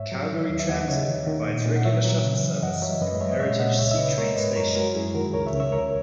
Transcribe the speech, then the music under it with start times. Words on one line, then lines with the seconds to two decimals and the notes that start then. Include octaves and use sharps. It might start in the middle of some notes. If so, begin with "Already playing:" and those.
Calgary Transit provides regular shuttle service from Heritage C-Train station.
Already playing: G#2 C#5 E5
0.12 F#3
0.31 D#3
0.49 D#2
0.60 E5
0.69 D#2 D#5 F#5
0.81 F#5
0.88 C#3 C#5 E5
1.08 D#3
1.27 D#3
1.47 A#2
1.66 A#2
1.76 F#5
1.85 F#3 C#5 E5
2.04 F#3
2.24 C#3
2.43 E3
2.63 F#2 D#5 F#5
2.82 F#3 C#5 E5
3.02 F#2 B4 D#5
3.21 G#3 C#5 E5
3.32 D#5
3.40 A#2 C#5 E5
3.59 A#2 D#5 F#5
3.79 C#2 C#5 E5
3.91 E5
3.98 C#3 B4 D#5
4.18 G#3 A#4 C#5
4.36 G#2 B4 D#5
4.56 F#2 A#4 C#5
4.75 G#3 F#4 A#4
4.95 F#2 E4 G#4
5.14 D#3 F#4 A#4
5.33 C#2 A#4 C#5
5.46 C#5 E5
5.53 C#2
5.60 C#5 E5
5.72 D#2 A#4 C#5